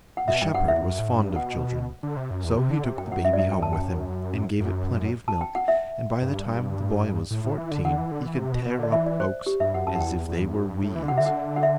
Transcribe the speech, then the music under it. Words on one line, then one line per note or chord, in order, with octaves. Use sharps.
The shepherd was fond of children, so he took the baby home with him and gave it plenty of milk, and by the time the boy was fourteen he could tear up oaks as if they were weeds.
F#5
B2 E5
G2 G5
G2 F#5
E2 E5
F#2
A2
G2
B2 F#5
D3
C3
F#2
E2
C3
D3
C3
F#2 G5
F#5
E5
D5
E5
G5
A5
G5
F#2
A5
G5
F#5
E5
G2
A2
A2
E3
D3
D3 F#5
E3
D3
E3
C3
B2
B2
D3 D5
E3 E5
D5
C5
G4
G2 E5
F#2 F#5
F#2 A5
F#5
E2 G5
E2
F#2
G2
A2
E3
D3
F#5
C3
D3 E5
F#5
F#5
E5